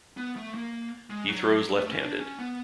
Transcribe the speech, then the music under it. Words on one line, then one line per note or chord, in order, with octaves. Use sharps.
He throws left-handed.
B3
A3
A#3
G#3
F#3
A3
C#4
D4
C#4
B3